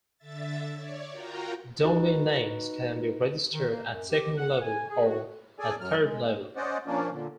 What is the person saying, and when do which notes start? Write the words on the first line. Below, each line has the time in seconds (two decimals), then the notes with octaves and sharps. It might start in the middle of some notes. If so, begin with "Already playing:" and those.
Domain names can be registered at second-level or at third-level.
0.18 D3 E5 A6
0.73 C#5 D5
1.11 F4 F#4 A#4 G5 A#5
1.85 D#4 F#4 B4
3.52 D#3
3.68 A#3
3.91 F#2
4.10 G4
4.37 F#5
4.62 G#5
4.89 G#4
5.06 F#4
5.59 G#4 A4 D5 G#5
5.80 F#2 F#3 F6
6.02 G#3
6.56 C#4 C5 D5 D#5 F#5
6.86 A#2 F3 A#3 C#4 D4
7.11 A#2 D3